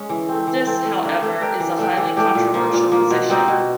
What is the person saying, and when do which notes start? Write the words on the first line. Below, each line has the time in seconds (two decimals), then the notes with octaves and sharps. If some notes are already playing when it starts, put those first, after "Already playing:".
This, however, is a highly controversial position.
Already playing: G#3 C#4
0.10 E3
0.29 A3 C4
0.47 E3
0.66 A3 C4
0.85 A3
1.03 D4 G4 A#4
1.22 A3
1.41 D4 G4 A#4
1.60 E3
1.79 A3 D4 G4
1.97 E3
2.17 A3 D4 G4
2.35 A#2
2.54 F3 A#3
2.73 A#2
2.92 F3 A#3
3.11 B2
3.29 G3 C4 D#4
3.48 B2